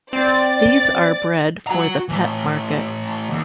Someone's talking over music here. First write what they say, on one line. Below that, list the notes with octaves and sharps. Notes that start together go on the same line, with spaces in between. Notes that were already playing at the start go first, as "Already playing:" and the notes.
These are bred for the pet market.
C4 D5 A6
F#4 A#5
E3 A3
D#2